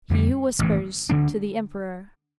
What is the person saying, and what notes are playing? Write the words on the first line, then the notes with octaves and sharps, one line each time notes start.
He who whispers to the emperor.
F2 D3 G3
A1 G2 E3
D2 D3 A3 D4